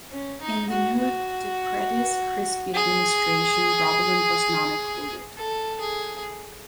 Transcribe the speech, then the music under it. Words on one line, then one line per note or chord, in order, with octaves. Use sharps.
In the new Depretis-Crispi administration Robilant was not included.
C#4
D#4
F#4
F#4
G#4
A4
G#4